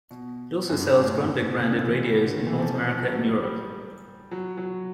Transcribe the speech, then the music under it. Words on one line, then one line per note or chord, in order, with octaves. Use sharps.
It also sells Grundig-branded radios in North America and Europe.
B2
F#2
G2
G#2
A2
A#2
B2
C3
D3
E3
C#3
D3
D#3
E3
F3
F3
F#3
G3
G3
F#3
F#3